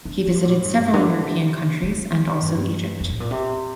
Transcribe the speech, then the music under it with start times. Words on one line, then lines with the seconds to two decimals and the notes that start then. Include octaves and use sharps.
He visited several European countries and also Egypt.
0.05 D3
0.27 D3
0.35 C3
0.45 A#2
0.55 A2
0.65 G2
0.94 D3
1.23 C3
1.83 C3
2.42 G2
3.00 F2
3.10 A2
3.20 A#2
3.31 C3